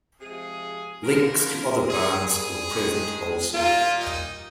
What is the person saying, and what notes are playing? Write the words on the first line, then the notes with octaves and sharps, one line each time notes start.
Links to other bands were present also.
C3 F3 G#3 G#4
D3 F3 A#3 A#4
G#2 G3 A#3 G#4
G#4
G2 D#3 G#3
A#2 G3 A#3 F4
D#4